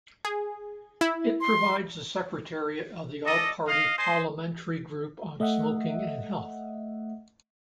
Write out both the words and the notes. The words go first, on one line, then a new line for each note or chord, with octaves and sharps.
It provides the secretariat of the All-Party Parliamentary Group on smoking and health.
G#4
E4
C6
A4 D5 D#5
D#5 F5
C5 D#5 G#5 C6
A3 D#5 E5 F#5